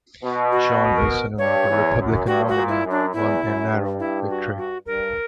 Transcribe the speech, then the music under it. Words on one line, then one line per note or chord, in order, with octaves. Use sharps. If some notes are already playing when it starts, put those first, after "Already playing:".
John E. Sununu, the Republican nominee, won a narrow victory.
B2
F#4
A#4
G2 C#5
E2
F#2
G2 F#4
F#4
A#2
E4
F#2
D4
E2 E4
F#2
G2
E4
F#4
F#4
G2 A#4